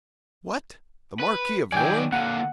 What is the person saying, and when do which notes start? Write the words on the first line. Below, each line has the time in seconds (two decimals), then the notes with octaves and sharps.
'What! the Marquis of Lorne?
1.20 B4
1.72 D#3 F#3 D5 G5 G#5
2.12 D3 A#3 F#5